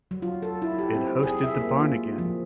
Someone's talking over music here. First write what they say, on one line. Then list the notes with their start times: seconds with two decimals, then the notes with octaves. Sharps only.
It hosted the Barn Again!
0.11 F#3
0.22 F4
0.42 A4
0.62 E4
0.79 G4
0.94 C4
1.23 G#4
1.44 E5
1.57 A#3
1.80 F4
2.18 F3